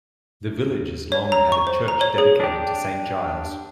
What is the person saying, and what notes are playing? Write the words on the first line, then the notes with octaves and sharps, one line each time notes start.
The village has long had a church dedicated to Saint Giles.
C#5
A#5
C#6
C5
A#5
C#5
G#4
D4 G4